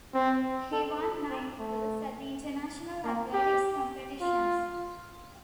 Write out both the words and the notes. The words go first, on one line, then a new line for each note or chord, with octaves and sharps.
He won nine medals at the International athletics competitions.
C4
A4
A4
C4
A3
A#3
G4
F4